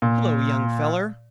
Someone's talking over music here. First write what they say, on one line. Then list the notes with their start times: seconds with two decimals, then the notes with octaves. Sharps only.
"Hello, young feller."
0.02 A#2